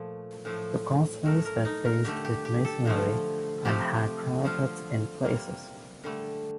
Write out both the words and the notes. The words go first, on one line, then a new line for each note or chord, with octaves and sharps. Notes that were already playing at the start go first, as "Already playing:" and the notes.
The causeways were faced with masonry and had parapets in places.
Already playing: A#2 F3 A3
A2 F3 A3
A2 A3 A#4
A#4
D#4
A#4
D3 A3 G4
G4
G4
A4
D3 F3 A3
C3 F3 A3 G4
D3 F3 A3 F4
C3 G3 A#3
D3 G3 A3